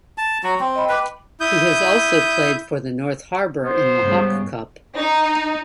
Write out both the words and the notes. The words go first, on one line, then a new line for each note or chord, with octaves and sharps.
He has also played for the North Harbour in the Hawke Cup.
A5
F#3 F#4
C4
D#5 B5
B4 G5 D6
E4 D#6 G6
B3 C5
G#2 C#3 G3
D#4